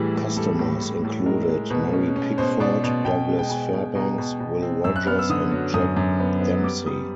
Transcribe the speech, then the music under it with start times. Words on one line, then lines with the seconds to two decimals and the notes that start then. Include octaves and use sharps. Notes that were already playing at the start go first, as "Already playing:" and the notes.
Customers included Mary Pickford, Douglas Fairbanks, Will Rogers and Jack Dempsey.
Already playing: A2 E3 G3 G#4
0.14 G3
0.36 G3 A4
0.59 A2
0.81 A2
1.04 A2
1.26 G#3 A#4
1.49 G#3
1.70 B2 B4
1.93 C#4
2.16 C#4
2.38 B2 C5
2.60 B2 D5
2.84 B2
3.05 B2 G5
3.28 G#3
3.39 G5
3.50 B2 G#5
3.73 B2
3.95 B2 A#5
4.18 B2
4.40 B2
4.62 C4
4.84 F#2 E6
4.96 F#6
5.07 B3 F6
5.19 E6
5.29 D3 D#6
5.51 F#3
5.74 F#2 D#6
5.97 F#2
6.20 B3
6.41 B3
6.64 G3 D6
6.86 G3 D#6